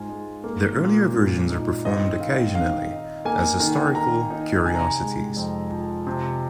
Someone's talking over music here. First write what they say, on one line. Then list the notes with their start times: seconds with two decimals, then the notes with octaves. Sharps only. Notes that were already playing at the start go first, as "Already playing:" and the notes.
The earlier versions are performed occasionally as historical curiosities.
Already playing: G#2 F4 G#5
0.10 G#3
0.44 A#3
0.79 A#2
1.14 A#2
1.50 D#4
1.85 C4 D#5
2.20 D#3 F5
2.55 D#3 F5
2.91 D#4
3.25 A#3 G#5
3.60 D#3
3.95 D#3 A#5
4.30 D#4
4.66 C3 G#5
4.75 A#5
4.83 G#5
5.01 G#3
5.37 F2
5.71 F3
6.07 C3